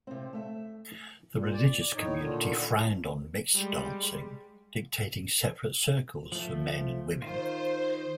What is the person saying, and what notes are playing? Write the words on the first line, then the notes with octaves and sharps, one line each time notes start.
The religious community frowned on mixed dancing, dictating separate circles for men and women.
C3 C4
A3 E5
A#2
D5
A2 D#4 C#5
A#2 D3 D#3
G3 G#3
F3 A3
D#3 F4 C5